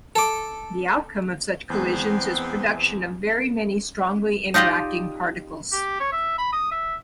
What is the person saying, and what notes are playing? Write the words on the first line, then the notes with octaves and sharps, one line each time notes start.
The outcome of such collisions is production of very many strongly interacting particles.
A4 D6
E2 G#3 B3 C4
D#4 F4 G4 D5 D#5
G4
C#5
E5
B5
D#6
E5